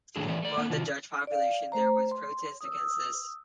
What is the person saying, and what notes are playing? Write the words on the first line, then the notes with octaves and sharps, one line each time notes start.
Among the Dutch population there was protest against this.
A2 D#3 F#3 D4 G#4 A4
E3 A3 C#4 D5 E5
A3 D5
A3 A#3 F#5
C3 D#3 F4 F#4
D5 F5
A3 C5 A#5
C6
D#6 E6